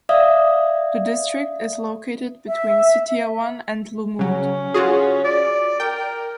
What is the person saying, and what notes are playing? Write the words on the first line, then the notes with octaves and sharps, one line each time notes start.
The district is located between Sitiawan and Lumut.
D5 E5 F5 D#6
E5
C#3 F#3 C#4
F4 F#4 G#4
D5
A#4 G5